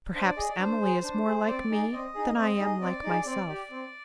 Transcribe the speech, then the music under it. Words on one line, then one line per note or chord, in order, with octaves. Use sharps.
Perhaps Emily is more like me than I am like myself.
D4 C5
D5
G#4 D#5
D5
D4 C5
G#4
D4 C5
G#4
C4 D5
D#4 G#4
C4 D#5
D#4 G#4
C4 D#5
D#4 G#4
C4 D5
D#4 G#4
C4 D5
G4
C4